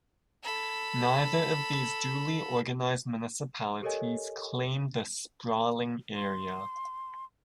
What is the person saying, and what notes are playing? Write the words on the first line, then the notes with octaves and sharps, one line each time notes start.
Neither of these duly organized municipalities claimed the sprawling area.
A4 B5
G4 A4 A#4 C#5 D#5 G#5
C6